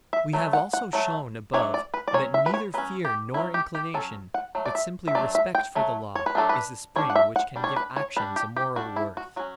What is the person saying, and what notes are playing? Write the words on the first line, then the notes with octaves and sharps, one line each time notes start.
We have also shown above that neither fear nor inclination, but simply respect for the law, is the spring which can give actions a moral worth.
E5
F#3 A3
F#5
F#5
F#3 A3
F#3 A3 D4 C#5
D5
B4
D5
F#3 C#4 C#5
E5
B4
C#5
F#3 C#4 B4
G4
F#3 C#4 E4
G4
G4
F#3 C#4 A4
F#5
F#3 A3
D5
E5
E5
F#3 A3 D4 D5
E5
G5
F#3 A3
C#5
B4
F#3 A3 D4 A4
B4
G3 D4 C#5
F#5
E5
F#5
G3 D4
C#5
B4
C#5
G3 D4 B4
G4
G4
G3 D4 F#4
E4
F#4
F#3 C#4 F#4